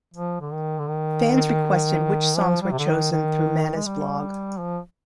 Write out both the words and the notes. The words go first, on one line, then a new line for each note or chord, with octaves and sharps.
Fans requested which songs were chosen through Mana's blog.
F3
D3
D#3
D3
D#3
F3
G3
C3
D3
D#3
D#3
G#3
G3
F3